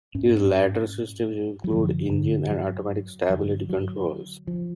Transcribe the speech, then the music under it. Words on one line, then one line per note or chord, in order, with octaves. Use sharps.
These later systems include engine and automatic stability controls.
G#2 C#4
F#3
F#2 D3 F3
D3
F#3
F2 D3 F#3
F#3
F3